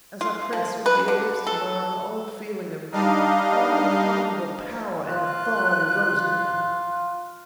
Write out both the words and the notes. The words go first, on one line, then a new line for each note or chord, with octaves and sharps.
As I pressed her dear lips to mine the old feeling of unconquerable power and authority rose in me.
F4
F3
B4
D3
A4
G3 D4 D#4 D#5 F5
F4 F#6